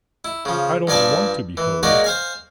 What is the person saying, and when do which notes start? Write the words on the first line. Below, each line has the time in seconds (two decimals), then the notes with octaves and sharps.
I don't want to be holy.
0.25 E4
0.45 C#3 F3
0.87 G2 F3 D5 G#5 A5
1.57 E3
1.83 G#3 A#3 F#4 G#4 C#5 D5
2.04 C5 F5 G#5